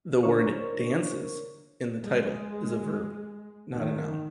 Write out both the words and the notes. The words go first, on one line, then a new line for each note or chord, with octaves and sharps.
The word "Dances" in the title is a verb, not a noun.
D3 D4 A#4 C5 C#5 C#6
G#3
D#3